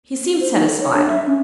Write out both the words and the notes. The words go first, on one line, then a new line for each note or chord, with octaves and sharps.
He seemed satisfied.
C5
D#4
A4
C#5
D4
E5
C#4